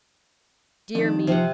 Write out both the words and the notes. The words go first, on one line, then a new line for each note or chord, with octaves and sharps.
Dear me!
F2 D#3 D4
C3 F3 C4 F#5